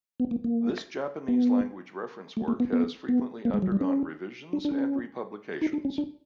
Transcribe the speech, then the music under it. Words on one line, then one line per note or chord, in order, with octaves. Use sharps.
This Japanese language reference work has frequently undergone revisions and republications.
B3
A#3
A#3
B3
A3
A#3
B3
B3
B3
A#3
G#3
F#3
G3
C#4
D4
D4
C#4
D#4
D4
C#4
D4